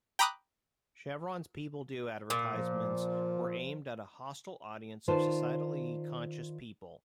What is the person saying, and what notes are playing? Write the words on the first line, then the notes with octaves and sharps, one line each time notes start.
Chevron's "People Do" advertisements were aimed at a "hostile audience" of "societally conscious" people.
G5 A#5 B5 D6 D#6 F#6
A#2
F3
D#3 F4 B4 C5 D5 A5